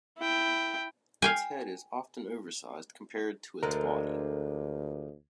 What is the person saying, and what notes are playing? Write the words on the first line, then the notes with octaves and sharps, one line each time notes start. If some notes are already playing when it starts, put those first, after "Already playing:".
Its head is often oversized compared to its body.
E4 G5
F5 G5 G#5
D2 D3 F3 G#3 A#4